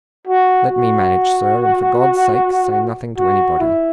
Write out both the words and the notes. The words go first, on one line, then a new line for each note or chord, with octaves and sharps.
Let me manage, sir; and for God's sake, say nothing to anybody.
F#4
F#4
F#4
E4